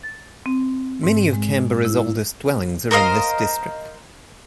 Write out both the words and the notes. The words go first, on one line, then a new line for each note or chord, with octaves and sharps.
Many of Canberra's oldest dwellings are in this district.
A6
C4
G#2
G#3
E4
A#4 C5 D#5 F5